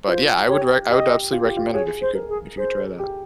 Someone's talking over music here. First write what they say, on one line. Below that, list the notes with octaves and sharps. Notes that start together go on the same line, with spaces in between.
But, yeah, I would rec I would absolutely recommend it if you could if you could try that.
F4 C5
G4 C#5
G4 D#5
F4
G4
F4
G#4 C#5
C5
A#4
G#4
G#4 C5
G4